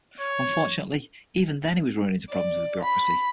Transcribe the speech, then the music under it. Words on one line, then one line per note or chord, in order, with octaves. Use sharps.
Unfortunately even then he was running into problems with bureaucracy.
C#5
D5
B5